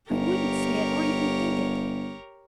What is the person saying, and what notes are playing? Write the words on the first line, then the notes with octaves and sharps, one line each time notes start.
I wouldn't say it, or even think it.
G1 G4 A#4 C#5